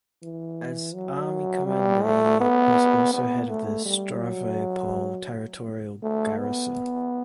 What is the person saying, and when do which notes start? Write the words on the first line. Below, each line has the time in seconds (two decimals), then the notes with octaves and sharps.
As army commander he was also head of the Stavropol Territorial Garrison.
0.23 E3
0.95 F#3
1.67 G3
2.04 A3
2.40 B3
3.13 B3
3.49 A3
3.85 G3
4.21 F#3
6.03 A3
6.40 B3